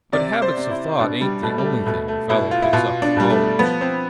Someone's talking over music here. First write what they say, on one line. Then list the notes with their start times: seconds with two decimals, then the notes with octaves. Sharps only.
But habits of thought ain't the only thing a fellow picks up at college.
0.12 C3 D5
0.42 C5
0.57 C3
0.71 E4
0.99 B2 D4
1.21 G3
1.43 B2 A3
1.58 G3
1.65 A3
1.86 B2 A3
2.08 A3
2.30 B2 E4
2.51 F4
2.62 E4
2.73 B2 F4
3.02 D4
3.17 B2 G3
3.30 A3
3.59 F3 B3
3.81 C4